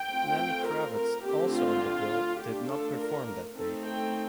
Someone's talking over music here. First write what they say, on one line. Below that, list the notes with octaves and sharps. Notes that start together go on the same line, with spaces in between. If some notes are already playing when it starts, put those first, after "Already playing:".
Lenny Kravitz, also on the bill, did not perform that day.
Already playing: G5
A3 C4 F4
A#4
A#4
D3 A3 C4 G4
F4
A3 D4 F4 G4
A4
A#4
A3 C4 D#4 A4
G5